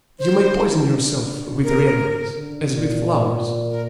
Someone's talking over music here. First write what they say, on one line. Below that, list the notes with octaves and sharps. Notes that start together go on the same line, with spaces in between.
You may poison yourself with reveries, as with flowers.
D3 C5
A#4
D3
A#2
A#4